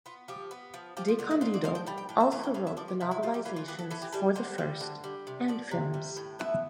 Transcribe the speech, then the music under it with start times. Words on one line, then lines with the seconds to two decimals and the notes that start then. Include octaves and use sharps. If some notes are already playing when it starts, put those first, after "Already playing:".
DeCandido also wrote the novelizations for the first and films.
0.06 B3 F4
0.28 F3 G4
0.51 B3
0.74 F3
0.97 F3 G4
1.08 F4
1.19 D3 F4
1.31 E4
1.41 C4 F4
1.54 D5
1.64 F3 F5
1.75 G5
1.86 G3 A5
1.98 G5
2.09 A2 G5
2.21 E5
2.32 E3 F5
2.44 G5
2.54 A2 F5
2.67 E5
2.77 F3 D5
2.88 G4
3.00 C3 E4
3.11 E4
3.23 G3 F4
3.34 G4
3.45 E3 F4
3.56 F4
3.68 B3 G4
3.79 A4
3.90 E3 A4
4.02 G4
4.13 G3 A4
4.35 D3 C5
4.58 G3
4.80 D3
5.04 G3
5.27 C3
5.48 F3 D5
5.71 C3
5.94 G3
6.17 A2
6.39 B3 E5